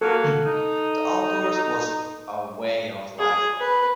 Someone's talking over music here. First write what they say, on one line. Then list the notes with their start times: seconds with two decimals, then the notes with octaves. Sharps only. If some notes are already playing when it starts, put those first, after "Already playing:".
The outdoors was a way of life for me.
0.01 F#3 A#3 A4
0.45 D#4
3.19 G#4
3.60 B4